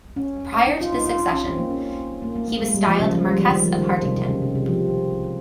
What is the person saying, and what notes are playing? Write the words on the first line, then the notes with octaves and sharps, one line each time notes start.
Prior to this succession, he was styled Marquess of Hartington.
C#4
D#4
F4
D#4
F4
D#4
C#4
C4
A#3
C#4
A#3
A#3
A#3
G#3
G3
F3
C#3
F3
G3
F3
D#3
F3
D#3
D#3
C3
C3
C#3
C3
C3
F3